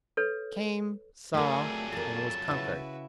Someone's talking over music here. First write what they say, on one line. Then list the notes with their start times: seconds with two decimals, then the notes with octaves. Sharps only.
I came, saw, and was conquered.
0.17 A4 B4 C#5
1.34 F2 F#3 A3 G#4 A#4 D5
1.92 A4 A#4 A5
2.48 C#3 E4 F#4 B4